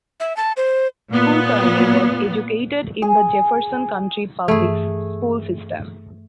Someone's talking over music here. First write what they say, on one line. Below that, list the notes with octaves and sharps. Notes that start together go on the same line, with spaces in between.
Kulkarni was educated in the Jefferson County Public School system.
E5
A5
C5
A#2 B3
G#4
G2 E3 A3 G#4